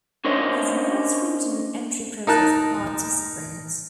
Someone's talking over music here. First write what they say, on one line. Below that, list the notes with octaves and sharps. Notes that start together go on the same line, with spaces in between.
There is no stringent entry process for participants.
C#4 D4 A#4 C5 C#5 D#5
D#4 A#4 A5 F#6